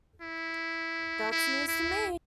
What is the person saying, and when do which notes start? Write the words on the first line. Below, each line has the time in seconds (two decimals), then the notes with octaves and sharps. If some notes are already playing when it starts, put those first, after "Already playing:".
That's news to me.
0.21 E4
1.31 E4
1.68 E4